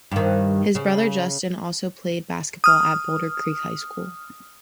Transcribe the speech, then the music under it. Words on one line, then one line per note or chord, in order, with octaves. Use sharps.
His brother Justin also played basketball at Boulder Creek High School.
G2 D#3
C#3
D#6 F6